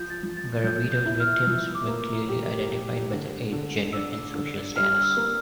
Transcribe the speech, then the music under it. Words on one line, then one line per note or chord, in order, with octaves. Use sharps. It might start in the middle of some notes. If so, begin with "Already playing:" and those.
Garavito's victims were clearly identified by their age, gender and social status.
Already playing: F3 G6
A6
F3
A6
F3 G6
G6
E4
G6
F6
F3 E6
D6
A#3
G4
G4
D3
D3
D4 E6
D3
G3 F6
E6
A#3